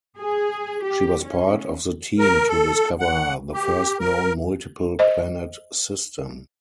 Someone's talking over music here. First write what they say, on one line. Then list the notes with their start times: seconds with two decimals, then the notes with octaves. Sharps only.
She was part of the team to discover the first known multiple-planet system.
0.18 G#4
0.83 G4
1.23 C#4
2.19 A#4
2.48 A4
3.00 F#5
3.54 G4
4.00 A#4
4.99 C5 D#5